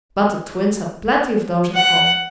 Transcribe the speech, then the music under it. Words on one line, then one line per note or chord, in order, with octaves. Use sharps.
But the Twins had plenty of those at home.
F#5